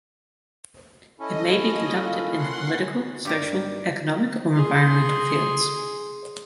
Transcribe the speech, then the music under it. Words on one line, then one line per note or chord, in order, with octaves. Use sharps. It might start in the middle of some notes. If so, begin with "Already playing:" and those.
It may be conducted in the political, social, economic or environmental fields.
C#4 E4 A4 D#5
A#2 F4
F#5 C6
G2 G4 A#4
G#4 C6